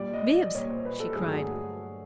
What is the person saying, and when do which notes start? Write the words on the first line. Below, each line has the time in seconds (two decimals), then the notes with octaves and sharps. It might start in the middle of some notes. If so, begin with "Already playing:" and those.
"Bibbs!" she cried.
Already playing: A#2 G3 D5
0.14 D#5
0.34 D5
0.55 A#2 G3 C#5
0.69 C5
0.85 B4
1.00 A4
1.15 G2 D3 F#3 A3 G#4
1.31 F#4